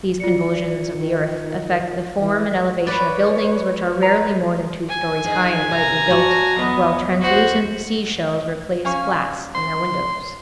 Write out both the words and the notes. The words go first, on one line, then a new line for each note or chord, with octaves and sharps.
These convulsions of the earth affect the form and elevation of buildings, which are rarely more than two stories high and lightly built, while translucent sea-shells replace glass in their windows.
F4 D5 C#7
D#3
E3
B4 C#5 D5
B4 A#5
G#5
F2 D#4 G#4
C3 A#5
F#4 D5 A5
E2 F#3 B3 D#5
F#4 C5
C#4 F5 G#5 C#6
C6